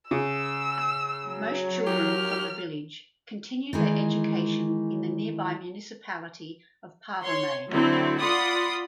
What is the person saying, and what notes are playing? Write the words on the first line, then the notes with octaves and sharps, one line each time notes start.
Most children from the village continue their education in the nearby Municipality of Parvomay.
C#3 E6
F#3
G4 F6
D#3 E3 G#3
C#5 C6
D3 F#3 C4 E4
F4 D5 F#5 B5 C6 D#6